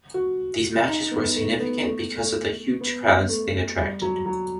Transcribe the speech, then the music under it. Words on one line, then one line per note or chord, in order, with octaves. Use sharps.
These matches were significant because of the huge crowds they attracted.
F#4
D#4
B3
A3
B3
A3
A3
B3
A3
G3
F#3
F#3